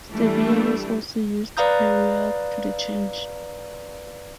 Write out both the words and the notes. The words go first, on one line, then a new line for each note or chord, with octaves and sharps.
Stevia was also used prior to the change.
E3 G3 A3 D4
B4 D5 F5 A#5 D#6 G6